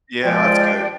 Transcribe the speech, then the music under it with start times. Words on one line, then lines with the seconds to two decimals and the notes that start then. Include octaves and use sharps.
Yeah, that's good.
0.24 F3 G#3 D5 G5